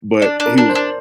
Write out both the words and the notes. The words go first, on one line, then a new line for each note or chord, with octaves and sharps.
but he was
D4 D5
D4
A#4
D4
C5
D4